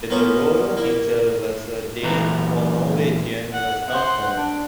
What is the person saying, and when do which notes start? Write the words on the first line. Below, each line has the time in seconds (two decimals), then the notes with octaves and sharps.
Whether Rollo himself was a Dane or a Norwegian is not known.
0.10 A#3 B3 C#4 F4 A#4
0.77 A#3 E4
2.03 A#2 E3 B4 A#5
3.53 F#5
3.88 C5 F#5
4.37 D4